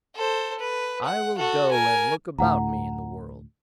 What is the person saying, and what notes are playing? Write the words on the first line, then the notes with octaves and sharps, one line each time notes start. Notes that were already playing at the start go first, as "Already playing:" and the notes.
I will go and look about me in the world.'
A4 C5
B4
F#5
F#4 A4
A#4 G#5
D2 A2 F#5 A#5